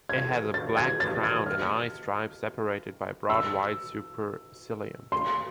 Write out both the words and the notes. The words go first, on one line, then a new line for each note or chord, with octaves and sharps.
It has a black crown and eye stripes separated by a broad white supercilium.
G#6
A6
G#6
A6
G#6
F6
E6
C6